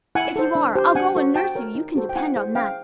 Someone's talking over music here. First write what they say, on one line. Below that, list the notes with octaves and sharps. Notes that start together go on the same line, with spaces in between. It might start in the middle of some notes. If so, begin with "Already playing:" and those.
If you are I'll go and nurse you, you can depend on that.
E4 F#5 G#5
A4 C5
D4
G4 C5
D4 F#5 G#5
F#4 A4 C5
F#4 G5 A5
A#4 C#5
D#4
F#4 A4 C5
G5
E4 F#5 G#5
G#4 C5
C#4 F5 G5